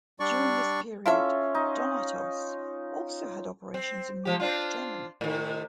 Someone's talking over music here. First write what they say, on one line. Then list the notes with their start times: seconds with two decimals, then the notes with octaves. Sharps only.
During this period Donatos also had operations in Munich, Germany.
0.20 G3 D4 D5 C#6
1.06 C#4 E4 F4 A4 E5
1.55 D#4
3.74 C4
4.25 C3 F3 G4
4.40 C4 D4 F4
5.21 A2 C3 D#3